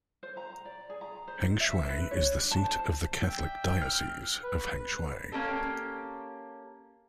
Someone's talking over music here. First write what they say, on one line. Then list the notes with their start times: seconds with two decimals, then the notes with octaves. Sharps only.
Hengshui is the seat of the Catholic Diocese of Hengshui.
0.23 C5
0.37 A#5
0.65 D5
0.90 G#4
1.01 A#5
1.28 C5
1.60 E5
1.89 B4
2.11 C#5
2.32 D4
2.51 A5
2.64 C5
3.17 D5 E5 G5
3.82 F6
4.43 B4
5.32 A#3 C#4 G4 A4